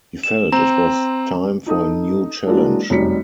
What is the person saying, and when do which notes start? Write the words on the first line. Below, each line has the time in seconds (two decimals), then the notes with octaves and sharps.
He felt it was time for a new challenge.
0.23 E7
0.52 C4 A#5
1.66 D#4 A4 D#6
2.47 E3 F#3 G#3 A#3 D4
2.90 F1 F#2 G3 D#4 B6 C#7